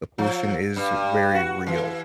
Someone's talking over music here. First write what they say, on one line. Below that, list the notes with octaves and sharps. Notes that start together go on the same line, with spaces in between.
the pollution is very real.
F3
G2
F#4
E3